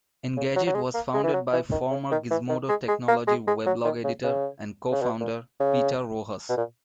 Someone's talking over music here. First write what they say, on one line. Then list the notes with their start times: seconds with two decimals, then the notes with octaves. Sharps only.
Engadget was founded by former Gizmodo technology weblog editor and co-founder, Peter Rojas.
0.36 C#3
0.56 F#3
0.66 F#3
0.75 G#3
0.94 A#3
1.14 G#3
1.24 E3
1.34 F#3
1.53 E3
1.72 D#3
1.91 C#3
2.11 D#3
2.31 E3
2.49 D#3
2.69 G#3
2.88 G#3
3.08 A#3
3.27 G#3
3.47 G#3
3.66 F#3
3.85 D#3
4.04 C#3
4.24 C#3
4.92 C#3
5.02 B2
5.20 A#2
5.60 C#3
6.49 B2
6.57 A#2